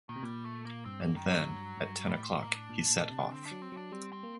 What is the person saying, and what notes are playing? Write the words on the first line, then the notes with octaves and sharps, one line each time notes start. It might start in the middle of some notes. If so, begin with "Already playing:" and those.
And then, at ten o’clock, he set off.
A#2 D#3
C3
A#2 G3
A3
A#3
G2 C4
A#3
F#2
D#3
G2
F#3
G2
G2
A2 G3
C4
A#3
D4
A#2
A#2
A#2
C3
D3 C4
D4
F#3
C4
F#3
D4
G3 C4
C4
A#3